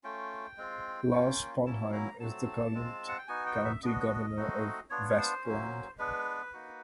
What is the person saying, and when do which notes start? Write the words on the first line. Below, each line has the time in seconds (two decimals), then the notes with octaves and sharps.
Lars Sponheim is the current County Governor of Vestland.
0.04 A3 C#4 F4 G5
0.57 G#3 C4 F4
1.12 A#3 C#4 F4
1.66 F#3 A#3 C#4 E4 A5
1.93 A#5
2.20 F#3 A3 C4 A5
2.74 G#3 C4 F4
3.08 F#5
3.18 G5
3.28 B3 D#4 F#4 G#5
3.46 G5
3.65 E5
3.83 B3 D4 F#4 D#5
4.37 A3 C4 D#4 F#4
4.90 B3 D4 F4 C#5
5.09 C#5
5.18 C5
5.44 F#3 A#3 C#4
5.98 G#3 B3 D4 B4
6.53 A#3 D#4 F#4